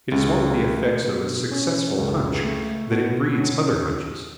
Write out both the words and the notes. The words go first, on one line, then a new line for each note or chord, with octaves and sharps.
It is one of the effects of a successful hunch that it breeds other hunches.
C#2
A3
B2
C#4
C#2
A3
B2
C#4